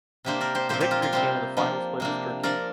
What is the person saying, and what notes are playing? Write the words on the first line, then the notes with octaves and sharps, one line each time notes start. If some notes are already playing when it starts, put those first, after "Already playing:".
The victory came in the finals played with Turkey.
C3 A#3 D4 G4 C5
A#4 D5
G4 C5
A#2 F3 C4 G4 C5
G4 C5
F4 A#4
F4 A#4
C3 G3 C4 G4 C5
F3 A#3 D4
C3 A#3 D4
F3 D4 A#4 D5